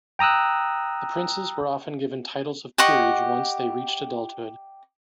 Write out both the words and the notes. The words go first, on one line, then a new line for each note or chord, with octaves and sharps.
The princes were often given titles of peerage once they reached adulthood.
G5 A#5 D#6 E6 F#6
G4 D#5 F#5 C#6